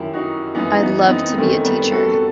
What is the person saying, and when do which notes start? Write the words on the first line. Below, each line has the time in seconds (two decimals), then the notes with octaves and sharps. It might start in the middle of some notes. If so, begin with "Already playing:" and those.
I’d love to be a teacher.
Already playing: F#2 D#3 E4 G4
0.13 D#4 F#4
0.55 F#2 E3 B3 D#4
0.82 B3 D#4
1.03 C4
1.09 B3 D#4
1.37 F#2 D#3 A3 C4
1.64 G3 B3
1.92 F#4 A4
2.11 A4